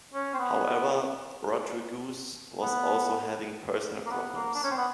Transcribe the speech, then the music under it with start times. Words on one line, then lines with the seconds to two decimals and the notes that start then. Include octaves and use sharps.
However, Rodriguez was also having personal problems.
0.14 C#4
0.34 C4
0.39 B3
2.62 B3
4.06 A#3
4.11 B3
4.35 A#3
4.55 D4
4.63 C#4
4.71 C4
4.77 B3